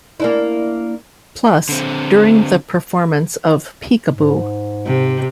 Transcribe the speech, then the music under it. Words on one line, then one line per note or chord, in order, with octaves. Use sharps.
Plus, during the performance of Peek-a-Boo!
A#3 D4 E4
D3 C4
G#2
C3